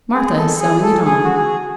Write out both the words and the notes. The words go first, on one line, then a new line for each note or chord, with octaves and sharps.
"Martha is sewing it on."
G#4
A4
G#4
A4
G#4
F#4
G#4